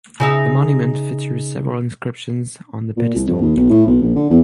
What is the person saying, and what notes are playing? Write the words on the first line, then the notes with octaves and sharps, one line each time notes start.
The monument features several inscriptions on the pedestal.
C#3 D#4 E5
A#2
C2
F2
D#2
B1
A2
B1
A#1
D3
E2